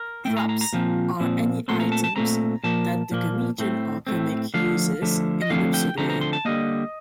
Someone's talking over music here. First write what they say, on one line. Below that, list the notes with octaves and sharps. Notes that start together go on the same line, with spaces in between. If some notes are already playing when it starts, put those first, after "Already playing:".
Props are any items that the comedian or comic uses in an absurd way.
Already playing: A#4
A2 A3 C4 G5
A#5
A#5
A#5
A#2 F3 C4
A#2 F3 C4
A#2 A3 C4 C6
A#5
A5
A5
A#2 A3 C4 A#5
A#2 F3 A#3 A5
A#2 F3 A#3
A2 A3 C4
A2 A3 C4
D3 F3 A3 F5
D3 F3 A3
D#5
D3 F3 A3 C4 F5
G5
D3 F3 A3 C4 A#5
A#5
C6
A5
D3 G3 A#3 D#5